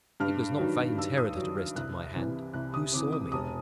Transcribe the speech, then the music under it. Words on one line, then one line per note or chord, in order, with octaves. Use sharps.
It was not vain terror that arrested my hand. Who saw me?
G2 F6
D#3 F#3
G2 E6
D#6
D#3 F#3 E6
F6
C2 F#6
C3 E3
C2 F#6
D#6
C3 E3 D6
D#6
E1 D#6